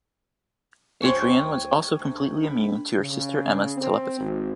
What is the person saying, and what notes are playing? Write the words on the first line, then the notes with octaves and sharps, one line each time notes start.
Adrienne was also completely immune to her sister Emma's telepathy.
D2 F#3 C5 G5 G#5 C#6
D2
B5
C#3
C4
G#1